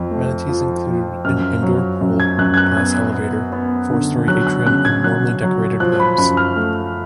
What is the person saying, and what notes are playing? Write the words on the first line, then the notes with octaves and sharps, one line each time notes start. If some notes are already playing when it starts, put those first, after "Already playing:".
Amenities included an indoor pool, glass elevator, four-storey atrium and warmly decorated rooms.
Already playing: F2
A3
F3
F3
F#2 F6
F#3
F#2
G#6
F#2 F#6
G#6
F#6
B3 G#6
B3
B3
D3
F#3 F#6
F#6
C#3 F#6
G#6
F#3 F#6
F#3
F3 F#6
B5
F#2 B5
F6
A3